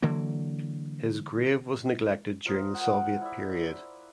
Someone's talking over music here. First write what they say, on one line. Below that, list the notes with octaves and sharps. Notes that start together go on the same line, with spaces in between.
His grave was neglected during the Soviet period.
D3 E3 F#3 A#3
F4 A#4 C5 D#5
F#5
E4 D5 E5